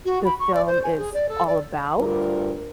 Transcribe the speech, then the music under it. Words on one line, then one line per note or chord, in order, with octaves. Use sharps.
the film is all about.
F#4
B5
C#6
D5
C5
G#5
G#4
D5
A4
D5
D2 G2 G3 F4 A#4